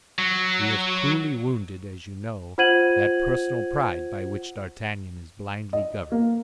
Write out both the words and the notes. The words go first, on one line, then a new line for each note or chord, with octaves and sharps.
We have cruelly wounded, as you know, that personal pride by which D'Artagnan is blindly governed.
F#3
F4 C5 F#5 G#6 D#7 F#7
D#5
A#3